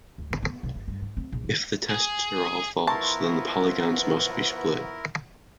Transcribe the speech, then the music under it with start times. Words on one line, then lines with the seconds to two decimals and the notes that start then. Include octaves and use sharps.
If the tests are all false, then the polygons must be split.
0.18 D2
0.31 G#1
0.43 B3
0.63 B1
0.75 G1
0.88 G2
1.02 G#2
1.17 C4
1.32 A#1
1.44 D#3
1.90 G#4
2.87 F3 B3 E4 A#4 A5 A#5 C6 C#6